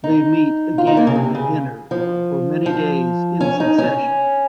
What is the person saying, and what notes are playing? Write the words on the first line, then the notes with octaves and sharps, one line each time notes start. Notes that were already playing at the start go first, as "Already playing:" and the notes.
They meet again at dinner, for many days in succession.
D#4
F4
D#4
A#3
C#3
C3
C#3
F3
F3
C#4
D#4
C#4